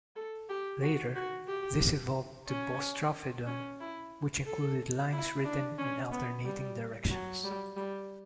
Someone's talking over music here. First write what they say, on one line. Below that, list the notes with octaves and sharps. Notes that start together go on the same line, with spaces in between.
Later, this evolved to "boustrophedon," which included lines written in alternating directions.
A4
G4
F#4
F#4
G4
C#4
C#4
E4
A4
E4
D4
C#4
B3
G3
F#3
G3
G3